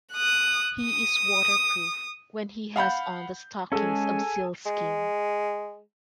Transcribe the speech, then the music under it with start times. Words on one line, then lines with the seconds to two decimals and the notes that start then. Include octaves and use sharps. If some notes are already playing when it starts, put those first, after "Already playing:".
He is waterproof when he has on the stockings of sealskin.
0.13 D#6 F#6
0.82 D#6
2.76 F5 F#5 B5 G6
3.72 G#3 C#4 G#4 A4 G#5
4.66 G#3